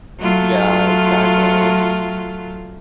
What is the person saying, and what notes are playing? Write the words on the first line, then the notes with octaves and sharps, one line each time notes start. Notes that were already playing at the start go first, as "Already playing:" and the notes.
Yeah, exactly.
F#3 A3 F4